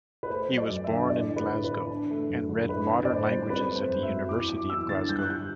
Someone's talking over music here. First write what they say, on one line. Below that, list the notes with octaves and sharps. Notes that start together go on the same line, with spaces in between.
He was born in Glasgow, and read Modern Languages at the University of Glasgow.
B4
A3 C5
F#3
D5
F#2
E5
D3
A2 D5
B3
B4
A2
B4
E3
D4
A3
F#2
D3
E4 B4
B3
D5
A2 C5
G3
C4 B4
A3
C5
F#2
E5
F#3
E2 D6
F#3 D6
E2 E6
D3 A6
G2 G6
F#6
G3 G6